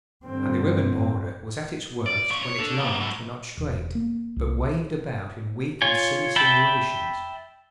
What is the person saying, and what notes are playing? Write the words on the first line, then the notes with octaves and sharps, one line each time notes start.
And the ribbon border was at its worst when its lines were not straight, but waved about in weak and silly sinuations.
G2 D3 C4
D5
F3 C#4
C#5
D3 A4
A#3 B3
A2 F#3
E1
A#3
C2
F4 C#5 G#5
E5 G5 A5 B5